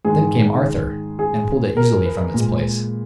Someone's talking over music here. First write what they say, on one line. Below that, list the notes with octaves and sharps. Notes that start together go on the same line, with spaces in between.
Then came Arthur, and pulled it easily from its place.
G#2 D#3 G#3 G#4
G#4
A#4
B4
A#2 G#3